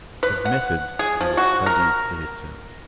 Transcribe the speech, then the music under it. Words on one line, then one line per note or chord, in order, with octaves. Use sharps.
His method is a study in itself.
B4
F#5
G#4
F3
F#4
A#4